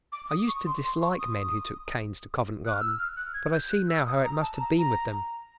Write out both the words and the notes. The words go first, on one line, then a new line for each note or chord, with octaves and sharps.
I used to dislike men who took canes to Covent Garden, but I see now how it must have been with them.
D6
D#6
C#6
C6
C6
C#6
D#6
F#6
F6
E6
F6
F#6
G#6
G6
F#6
E6
D#6
A#5
A5
A#5
A#5